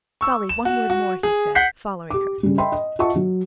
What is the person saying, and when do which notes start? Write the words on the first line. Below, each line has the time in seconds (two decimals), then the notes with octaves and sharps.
"Dolly, one word more," he said, following her.
0.21 C#6 E6
0.49 E7
0.65 F#4
0.90 F#4
1.23 G#4
1.55 F#5 G6 B6 C7
2.10 G4 D6
2.43 C#3 G3
2.58 D#5 E5 G5 B5 C6
2.72 D#5
2.99 F4 D#5 E5 F#5 A5 C#6
3.16 F#3